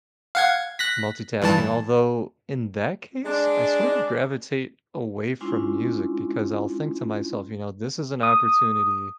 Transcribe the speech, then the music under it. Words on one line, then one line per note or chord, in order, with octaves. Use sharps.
multitasking, although, in that case, I sort of gravitate away from music, because I'll think to myself, you know, this is an opportunity
F5 F#5 G#6
F#6 A#6 B6
G2 E3 A5
G#3 D4
G#3 C#4 D4 E4 F4 C6
D#6